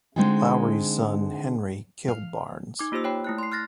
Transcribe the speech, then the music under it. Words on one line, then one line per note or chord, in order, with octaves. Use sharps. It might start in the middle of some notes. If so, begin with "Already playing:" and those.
Lowrey's son Henry killed Barnes.
D3 G#3 C4 D#4 F4 G#4
F5
D#4 D6
A#3 F4 G4 C5 E6
C#5 G5 B5
A3 E4 F#6
C6 C7
F6 F#6 A6 A#6